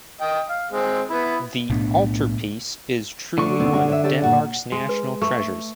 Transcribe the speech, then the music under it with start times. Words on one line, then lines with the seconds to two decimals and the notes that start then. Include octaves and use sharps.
The altarpiece is truly one of Denmark's national treasures.
0.21 D#5 G5
0.49 F5
0.71 G#3 C4
1.10 B3 E4
1.69 B1 A2 B3 D4
3.38 D3 A3 C#6
3.60 D#2 B2 C4
3.73 G#3 C#4 F#4
3.89 C#5 D#5 E5
4.04 G4 A4 C#5
4.22 A#2 F#4 F#5
4.72 G#3
4.89 B4
5.22 A3 C#6